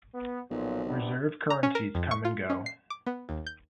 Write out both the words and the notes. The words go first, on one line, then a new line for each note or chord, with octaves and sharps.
Reserve currencies come and go.
B3
B1 A#2 F3 F#3
C3 B3 D4
A#5
C#4
A#4
F2
C#6
F4
C#4
C7
D6
B3
D#2
G6